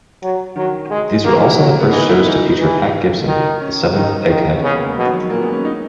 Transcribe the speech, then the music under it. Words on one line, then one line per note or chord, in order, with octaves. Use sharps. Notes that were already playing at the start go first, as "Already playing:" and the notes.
These were also the first shows to feature Pat Gibson, the seventh Egghead.
F#3
D#3 F#3
G#3
D#3 A#3
E3
G#3
F#3 A#3
A#3
B3
E3 D#4
E4
E3 D#4
E3
D#3
C#4
D#3 D#4
D#3
C#4
C#3 B3
A#3
G#3
B2 F#3
D#3
F#3
G#3
A#2 A#3
B3
C#4
D#4